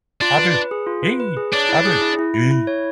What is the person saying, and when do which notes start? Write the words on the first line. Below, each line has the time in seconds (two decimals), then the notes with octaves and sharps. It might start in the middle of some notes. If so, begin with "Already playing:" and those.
Abu Ye Abu ye!
0.21 D4 F4
0.38 B4
0.55 B4
0.71 G#4
0.87 F4
1.03 B4
1.20 B4
1.37 G#4
1.52 D4 C#5
1.69 E4
1.85 G#4
2.01 E4
2.19 E4
2.34 E4
2.51 E4
2.67 C#5